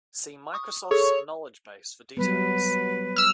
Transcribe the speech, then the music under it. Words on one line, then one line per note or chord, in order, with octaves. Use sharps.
See Microsoft's knowledge base for details.
C#6 D#6
G#4 A4 C#5
F#3 G3 B3 B4
E6 F6